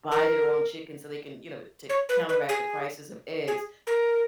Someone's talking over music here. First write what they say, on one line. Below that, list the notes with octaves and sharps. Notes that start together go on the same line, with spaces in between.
buy their own chicken so they can, you know, to c counteract the prices of eggs,
A#4
C#5
B4
B4
G#4
G#4
A#4